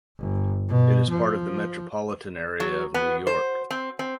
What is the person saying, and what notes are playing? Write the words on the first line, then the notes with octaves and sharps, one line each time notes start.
It is part of the metropolitan area of New York.
G1
B2
F3
F#3
B3
C5
C4
C4